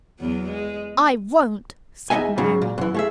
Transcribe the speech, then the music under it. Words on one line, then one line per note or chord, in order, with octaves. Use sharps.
"I won't!" said Mary.
E2 F#3 B3
G#3
E2 D#4 D#5 E5 G#5
G#2 C#3 F#3
A#2
F#2 E3
A3 G#4 E5